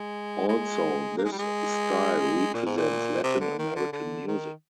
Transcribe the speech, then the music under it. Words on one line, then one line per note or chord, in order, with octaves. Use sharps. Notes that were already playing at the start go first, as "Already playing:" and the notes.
Also this style represents Latin American music.
Already playing: G#3
G#3
A#3
G#3
G3
G#3
A#2
G#2
A#2
C3
D3
D#3
D3
D3
D#3